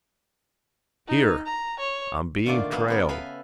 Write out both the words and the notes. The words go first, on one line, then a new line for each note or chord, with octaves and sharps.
"Here, I'm being trailed."
D#4
A#5
C#5
A#2 D3 D#3 A3 F4 D5
G#3 A#3 B3 G#4
C#3 B3 A#4
A4 B4 E5 F5 G#5